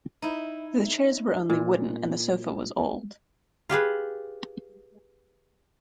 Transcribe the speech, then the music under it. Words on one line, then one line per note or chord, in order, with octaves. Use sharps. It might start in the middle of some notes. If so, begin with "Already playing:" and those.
The chairs were only wooden, and the sofa was old.
D#4 E4
A#2
F4 G4 G#4 B4